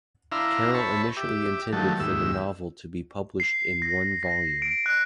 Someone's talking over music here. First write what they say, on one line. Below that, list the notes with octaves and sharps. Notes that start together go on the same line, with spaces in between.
Carroll initially intended for the novel to be published in one volume.
D4 E4 E5 F5 A#5 C6
C5 C#5 E5 A5 B5 C#6
G4 E5 D6
D#3 F3 F#3 A3 G4 A4
D#2 G#2 G4 E5 E6
C7
A#6
A#6
D7
F#6